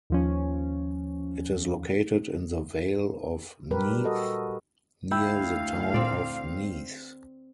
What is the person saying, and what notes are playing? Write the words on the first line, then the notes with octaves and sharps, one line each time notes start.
It is located in the Vale of Neath near the town of Neath.
D#2 F3 C#4
A#2 G3 G4 A#4 B4
F#4 A4 D#5
D2 E4 F5 G5 E6 G6
A#2 C4 D5